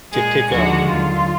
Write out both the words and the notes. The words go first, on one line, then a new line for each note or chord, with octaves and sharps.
to pick up
A#2 G#3 G#4
D#2 D3 F3 G#3 F#4
D#2 D3 F#3 F4